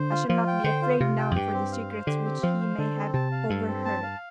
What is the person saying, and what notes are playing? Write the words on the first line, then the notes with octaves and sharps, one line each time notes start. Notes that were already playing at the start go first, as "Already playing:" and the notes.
I shall not be afraid now for the secrets which he may have overheard.'
Already playing: D3 C5
F4
F3 F4
G5
D3 C5
F4
C3 F4
G5
F2
G2 G4
C4
F5
C5
D3 G4
C4
F3 F5
C5
D3 A4
C4
C3 A5
F5
G2 A4
C4
A5
F5